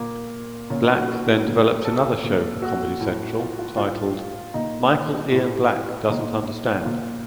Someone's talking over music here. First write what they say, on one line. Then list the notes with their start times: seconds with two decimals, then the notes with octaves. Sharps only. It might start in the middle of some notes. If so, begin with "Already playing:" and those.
Black then developed another show for Comedy Central titled "Michael Ian Black Doesn't Understand".
Already playing: A#2 A#3
0.70 A#2 C#4
0.83 D#4
0.95 F#4
1.08 F#4
1.47 A#2
1.85 A4
2.23 A#2
2.62 F#4
3.01 A2
3.39 F4
3.59 F4
3.77 A2 F4
4.54 A#2 D#4
5.32 A2
6.08 A#2 D#4
6.85 A#2 F4